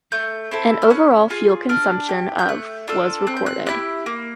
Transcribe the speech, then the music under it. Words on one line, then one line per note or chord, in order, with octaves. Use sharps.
An "overall" fuel consumption of was recorded.
A3 G6
C4 E4 A4
F6
C#4 F#6
F4 G#4
D4 F6
G4
G6
A3 F#6
D4 F4 A4
C4 F#6
G6
F#6
E4 G4 F#6
A#3